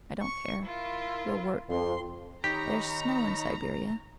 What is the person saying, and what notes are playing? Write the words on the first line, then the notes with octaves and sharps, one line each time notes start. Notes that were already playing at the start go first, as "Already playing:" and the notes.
I don't care ... we'll work ... there's snow in Siberia....
C#6
E4 F4 A#4
F2 C6
D#3 D#4 G4 C#5 A#5 B5